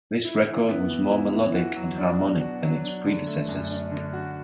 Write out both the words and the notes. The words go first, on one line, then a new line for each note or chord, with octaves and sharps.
This record was more melodic and harmonic than its predecessors.
E4
E3
B3
E2
E4
E3
F#4
F#3
D4
B2
F#4
F#3
D4
D3
A3
F#2
D4
D3
F#4